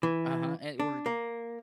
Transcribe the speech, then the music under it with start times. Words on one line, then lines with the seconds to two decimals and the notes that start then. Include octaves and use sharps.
Uh-huh, and or
0.03 E3
0.80 D4
1.06 A#3